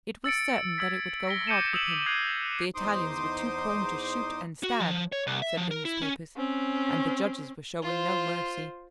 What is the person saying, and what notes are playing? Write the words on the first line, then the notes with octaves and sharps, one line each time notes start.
It was certain that it would go hard with him. The Italians were too prone to shoot and stab, said the newspapers, and the judges were showing no mercy.
E6 A6 C#7 D7
E6 G#6 B6
A#6 B6 G7
D6 G6 A#6 C#7 D#7 E7
D#6 E6 D7 E7 F#7
D#6 F#6 G#6 C7 D#7
E2 D#4 C5 C6 D6 D#6
F#4
F3
C#5
C2
E5
F3
A#4
E4
C#4
C4 C#4
F4 C5